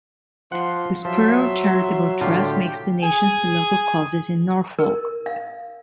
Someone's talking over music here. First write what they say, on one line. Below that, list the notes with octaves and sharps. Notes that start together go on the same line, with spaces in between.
The Spurrell Charitable Trust makes donations to local causes in Norfolk.
F3 F#5 C6
F3 F#3 E5 C6
A2 D3 F4 G4
G#4 G#5
A#4
F5